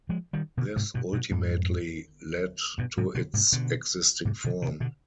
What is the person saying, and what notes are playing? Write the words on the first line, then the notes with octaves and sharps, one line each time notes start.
This ultimately led to its existing form.
F3 G#3
D#3 G3
B2 D3
G#2 C3
G2 B2
G2 B2
F2 G#2
G2 B2
G#2 C3
B2 D3
G#2 C3
B2 D3
G#2 C3
B2 D3
C3 D#3
B2 D3